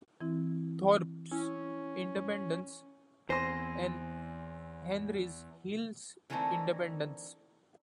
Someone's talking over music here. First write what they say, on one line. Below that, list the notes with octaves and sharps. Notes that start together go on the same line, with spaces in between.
Thorp's Independence and Henry Hill's Independence.
E3 C4 E4
C#4 E4
E2 C4 C5 G#5 C6 A#6
D3 E3 A3 A#3 C4 D#4